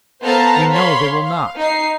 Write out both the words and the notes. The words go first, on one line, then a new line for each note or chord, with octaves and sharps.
We know they will not.
B3 A4 C5 F5 A5 A#5
C#5 F5 B5 C6
F5
D#4 C7